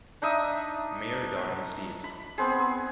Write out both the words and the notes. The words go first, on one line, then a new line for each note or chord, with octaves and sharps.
Mayor Donald Steeves.
D4 D#4 E5 D#6
B5
B3 C4 G#4